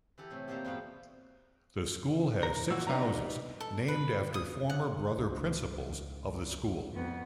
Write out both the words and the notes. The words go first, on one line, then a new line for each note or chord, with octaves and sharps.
The school has six houses named after former brother principals of the school.
E3 G4 A4
A2 C3 E5
A#2 A#3 C4 F4 G4
E2 G#2 B2 B4 F5 G5
A#4
A#2 E3 F#4 E6
B2 G3 B3 D4 D#4 A#5
A4
B4
D#6
F#5
C#2 D4
F2 B3